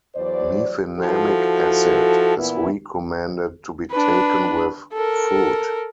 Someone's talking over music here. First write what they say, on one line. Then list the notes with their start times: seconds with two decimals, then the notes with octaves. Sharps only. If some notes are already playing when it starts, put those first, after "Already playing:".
Mefenamic acid is recommended to be taken with food.
0.15 E2 F#3 C5 D5
0.98 F3 E4 F#4 A4
2.37 A#2 E3 B3 E4
3.91 D4 B4
4.93 A4 A#4